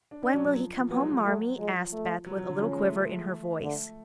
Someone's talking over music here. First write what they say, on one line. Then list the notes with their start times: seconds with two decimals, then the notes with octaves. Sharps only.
"When will he come home, Marmee?" asked Beth, with a little quiver in her voice.
0.11 D4
0.22 C#4 D4
0.34 F#3
0.45 F#3
0.56 F3
0.79 F3
0.91 F#3 B3
1.00 G#3
1.11 F#3
1.25 A3
1.58 F3 G#3
1.93 A3
2.26 F#3
2.38 F#3
2.49 D3
2.60 F3 C#4
2.72 G#3
2.83 A3
3.63 D3 A3